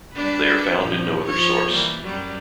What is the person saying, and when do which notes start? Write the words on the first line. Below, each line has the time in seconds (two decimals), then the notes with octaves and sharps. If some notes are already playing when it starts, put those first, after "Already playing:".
They are found in no other source.
0.13 G3 D4 B4
0.79 G2 A#2 F3
1.27 F3 C#5
1.71 E3 G3 A#3
2.03 F#2 F#3 G3